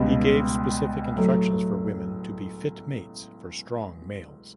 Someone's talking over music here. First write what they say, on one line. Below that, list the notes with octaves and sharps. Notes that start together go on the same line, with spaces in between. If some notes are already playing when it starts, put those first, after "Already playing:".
He gave specific instructions for women to be fit mates for strong males.
Already playing: C#2 B2 G3 B3
A2 F#3 A3